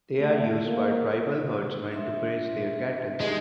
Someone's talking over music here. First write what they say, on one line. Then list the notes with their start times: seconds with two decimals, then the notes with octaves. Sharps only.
They are used by tribal herdsmen to graze their cattle.
0.19 A3
0.67 A#3
1.90 D4 E5 C6
3.21 G#3 D#4 G4